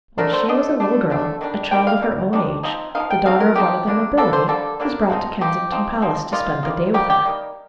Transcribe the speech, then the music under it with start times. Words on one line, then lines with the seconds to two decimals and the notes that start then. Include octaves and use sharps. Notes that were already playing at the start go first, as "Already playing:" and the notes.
When she was a little girl, a child of her own age, the daughter of one of the nobility, was brought to Kensington Palace to spend the day with her.
0.18 D3 A3 D4 A#4
0.33 C5
0.48 D3 A3 D4 D#5
0.80 D3 A3 D4
1.10 D3 A3 D4
1.41 D#3 G3 D4
1.71 D#3 G3 D4 G5
1.87 F5
2.02 D#3 G3
2.33 D#3 G3 D4
2.63 F3 C4 D#4
2.95 C4 D#4 F5
3.00 F3
3.10 G5
3.26 F3 C4 D#4 F5
3.40 A#4
3.56 F3 C4 D#4 G4
3.87 D3 G3 A#3 D4
4.17 D3 G3 A#3 D4 A4
4.33 C5
4.48 D3 G3 A#3 D4 A4
4.80 D3 G3 A#3 D4
5.10 F3 C4 D#4
5.41 F3 C4 D#4 G4
5.72 F3 C4 D#4
6.02 F3 C4 D#4
6.32 G3 A#3 D#4 F4
6.63 G3 A#3 D#4
6.94 G3 A#3 D#4 G4
7.10 G4
7.26 G3 A#3 D#4